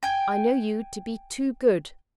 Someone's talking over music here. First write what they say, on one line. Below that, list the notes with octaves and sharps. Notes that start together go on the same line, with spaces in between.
I know you to be too good.
G5 G#5